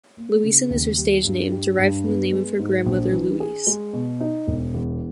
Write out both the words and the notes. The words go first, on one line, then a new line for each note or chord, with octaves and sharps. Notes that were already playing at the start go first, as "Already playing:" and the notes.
Louisan is her stage name, derived from the name of her grandmother, Louise.
A#3
C#3
D#2
G3
G2
G3
G2
B3
G#3
G#2
A#1
E3
G#4
G#3
B2
D#4
E1
E2